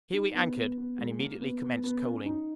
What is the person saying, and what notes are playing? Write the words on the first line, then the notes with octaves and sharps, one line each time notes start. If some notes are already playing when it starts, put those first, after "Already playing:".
Here we anchored, and immediately commenced coaling.
D#4
B3
B3
B3
G#3
A#3
B3
B3
B3
C#4
D#4